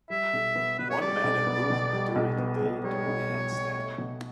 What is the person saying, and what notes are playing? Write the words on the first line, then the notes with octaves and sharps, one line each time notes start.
One man in a room during the day doing a handstand.
G3 E5
B1
B3
B2 B4
C#5
G3 D5
B1
B3
B2
G3
B1
B3
B2
G3 C#5
B1
B3
B2
A3
B2